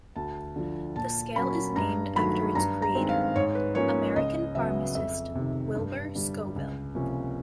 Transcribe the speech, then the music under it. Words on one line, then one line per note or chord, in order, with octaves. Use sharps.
The scale is named after its creator, American pharmacist Wilbur Scoville.
D2 A5
D3 F3
A#2 A5
F#3 A#3 C#4 B5
G2 A#5
D#3 F#3 A3 B5
G2 A#5
A#5
D#3 G#3 C4
F5
G#2 C#5
B4
F3 A#3 C#4 C#5
C#2 D#5
C#3 F#3 B3 E5
F2 E5
C3 D#3
G2
D3 G3
C#2
C3 F3 A#3 C#4